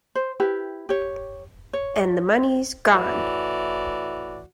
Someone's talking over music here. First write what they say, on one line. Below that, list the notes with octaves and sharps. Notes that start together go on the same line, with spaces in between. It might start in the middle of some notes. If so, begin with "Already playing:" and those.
And the money's gone!
C5
E4 G4 B4
G4 C#5
C#5
A2 E3 F#4 D5